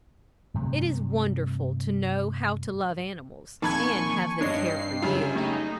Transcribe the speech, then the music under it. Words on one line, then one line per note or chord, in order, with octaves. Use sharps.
It is wonderful to know how to love animals, and have them care for you.
G2 C3 F#3 A3
F2 A#2 D#3 G#5 A5 B5 C#6 G#6
G2 D4 C#5 D#5 C7
F#2 C#3 G3 F4
A3 D#4